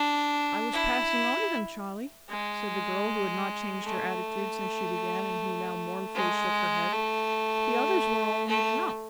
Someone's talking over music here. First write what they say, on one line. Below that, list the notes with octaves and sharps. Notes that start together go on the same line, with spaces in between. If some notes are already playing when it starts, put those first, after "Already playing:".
'I was passing on to them, Charley,' said the girl, who had not changed her attitude since she began, and who now mournfully shook her head; 'the others were all leading up.
Already playing: D4
E4
G#3
A3
G#3
A3
A3